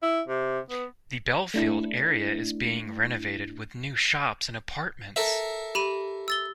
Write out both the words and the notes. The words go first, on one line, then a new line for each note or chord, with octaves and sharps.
The Belfield area is being renovated with new shops and apartments.
E4
C3
B3
A3 D4 E4
A4 A#4 E5
G4 B5 D#7
E6 A6 G7